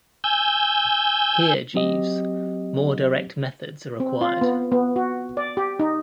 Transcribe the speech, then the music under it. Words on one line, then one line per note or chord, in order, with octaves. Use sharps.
Here, Jeeves, more direct methods are required.
G#5 E6 G6
F#3 C4 G4 D#5
C4
F4
B3
B3
F#4
D5
G4
D#4